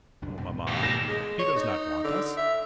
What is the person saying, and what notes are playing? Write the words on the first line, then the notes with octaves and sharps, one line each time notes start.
"Oh, mamma, he does not want us."
C2 F#2 D4
G#2 B2 C4
D#2 G4
A#6 E7
G#3
C#5
D#4
D3
E5